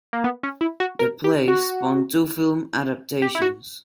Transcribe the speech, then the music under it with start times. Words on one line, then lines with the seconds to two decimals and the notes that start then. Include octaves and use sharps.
The play spawned two film adaptations.
0.13 A#3
0.24 B3
0.43 C#4
0.61 E4
0.80 F#4
0.99 A#4
1.24 G4
1.48 F#4
3.22 G4
3.35 E4
3.42 F#4